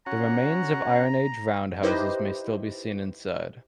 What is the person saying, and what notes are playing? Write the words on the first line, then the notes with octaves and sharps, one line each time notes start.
The remains of Iron Age round houses may still be seen inside.
C#4 F#4 F#5 A#5
D#4 E4 G4 B4 C5 D#5